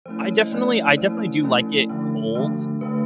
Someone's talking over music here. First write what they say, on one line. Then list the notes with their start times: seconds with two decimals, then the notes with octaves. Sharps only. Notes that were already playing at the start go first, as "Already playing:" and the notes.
I definitely I definitely do like it cold.
0.06 F3 A3 C#4 E4 C5
0.22 C#5
0.44 D#5
0.52 F3 A3 C#4 E4 D5
0.74 C#5
0.97 F3 A3 C#4 E4 C5
1.43 F3 A3 C#4 E4
1.89 D3 F3 A3 D4
2.35 D3 F3 A3 D4
2.81 D3 F3 A3 D4 B4